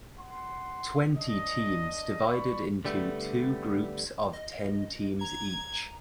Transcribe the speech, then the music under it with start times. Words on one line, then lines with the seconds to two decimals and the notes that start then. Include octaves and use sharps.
Twenty teams divided into two groups of ten teams each.
0.18 F#5 C6
1.16 D4 D#5
2.26 D5 B5 C#6
2.85 D3 G3 A3 B3
4.33 D#5
5.21 A#5 G#6